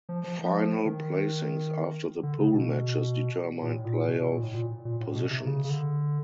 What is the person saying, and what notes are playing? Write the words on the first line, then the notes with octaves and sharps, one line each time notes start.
Final placings after the pool matches determined playoff positions.
F3
F3
F3
D#3
D3
C#3
B2
A#2
A2
A#2
B2
B2
A#2
A2
A#2
A#2
A2
B2
C3
C#3
C#3
D3